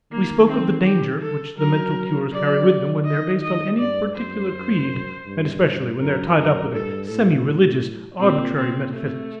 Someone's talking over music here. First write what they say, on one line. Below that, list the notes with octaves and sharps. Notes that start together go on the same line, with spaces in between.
We spoke of the danger which the mental cures carry with them when they are based on any particular creed, and especially when they are tied up with a semi-religious arbitrary metaphysics.
D#3 A#3
C4
G4
A4
F#3 A#4
F#3 D5
D#3 D#5
D#5
G2 D5
F#2 C5
F#2
G2
F#2 A#4
F#2 A#4
G2 A4
A2 A4
A#2 C4
A#2 C4
C3 A3